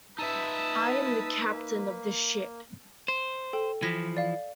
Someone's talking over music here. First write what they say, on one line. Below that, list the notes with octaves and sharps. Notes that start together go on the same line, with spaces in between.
I am the captain of the ship.
D#4 B4 E5 A5 D#6 E6
A#3
C5
A4 G5
E3 F3 G#6 A#6 B6
D5 F5